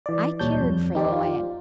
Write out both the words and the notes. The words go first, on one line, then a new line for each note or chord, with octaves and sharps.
I cared for the lad.
E3 D5
D2 A#2 G3 C#5 A5 G6
F2
D#4 G4 C5 D5
F4